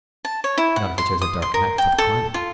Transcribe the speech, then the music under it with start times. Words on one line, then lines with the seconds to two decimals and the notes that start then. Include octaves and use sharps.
"Not if he chose a dark night for the climbing."
0.25 A5
0.44 C#5
0.58 E4
0.76 F#5
0.98 C6
1.22 D#6
1.42 C6
1.54 A#4
1.78 G5
1.98 A4
2.34 F4